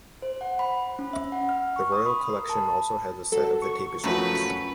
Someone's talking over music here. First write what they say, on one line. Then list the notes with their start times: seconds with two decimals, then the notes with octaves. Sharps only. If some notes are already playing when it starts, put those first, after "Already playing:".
The Royal Collection also has a set of the tapestries.
0.22 C5
0.41 F#5
0.59 B5
0.99 C#4
1.13 E5
1.32 F#5
1.49 F6
1.76 C#6
1.92 D#6
2.06 B5
2.29 A#4
2.49 A5
3.32 F#3 A4
3.62 C#6
4.04 F#2 F3 F#3 A3 B4
4.35 B5